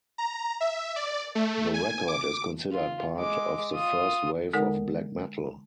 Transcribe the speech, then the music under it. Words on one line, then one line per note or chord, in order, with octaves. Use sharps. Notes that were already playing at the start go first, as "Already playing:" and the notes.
The record is considered part of the first wave of black metal.
A#5
E5
D5
A3
G#5
D6
F4
G#3 D6
F4 D#6
D3 G#3 D#4 A4 A#4 F#5